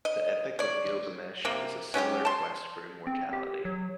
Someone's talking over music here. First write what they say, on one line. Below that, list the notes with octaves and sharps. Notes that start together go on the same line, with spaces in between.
The "Epic of Gilgamesh" is a similar quest for immortality.
D#5
C#5 D5
C3 A#3
F#3 C#4 F4 G4
A5 C6
C4
G4
F#3